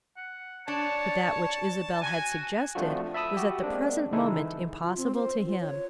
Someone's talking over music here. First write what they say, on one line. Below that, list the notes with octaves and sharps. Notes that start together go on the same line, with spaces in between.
But that which Isabel had suggested was at the present moment impossible to him.
F#5
D4 C#5 A5
F#4 G#5
F3 A3 C4 D4 F4 F#4
E5 A5 B5 D#6 E6
F#4 G4
G#3 A#3 C4 D4
C#3 E3 G#3 D#4 E4 A4
F4
C4
C5
F4
C#5